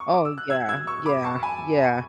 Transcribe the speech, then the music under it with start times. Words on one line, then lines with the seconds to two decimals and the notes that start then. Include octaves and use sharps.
Oh, yeah, yeah, yeah.
0.00 C#6
0.13 D6
0.25 E6
0.38 F#6
0.50 E6 G#6
0.68 E6 G#6
0.87 C#6 E6
1.06 B5 D6
1.24 A5 C#6
1.43 G#5 B5